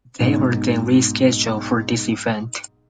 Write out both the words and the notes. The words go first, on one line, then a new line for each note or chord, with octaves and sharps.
They were then rescheduled for this event.
B1 G#2